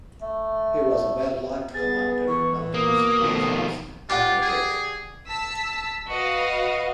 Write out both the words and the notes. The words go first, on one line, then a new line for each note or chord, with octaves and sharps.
He was a well liked commander known to his troops as "Uncle Dick".
A3
B3 G#4 A6
E3 C#6
B2 A#3 D#6
F2 B2 D#3 A3
F4 G4 D5 F#5
G#4
A5 E6 B6
F#4 B4 D#5 F5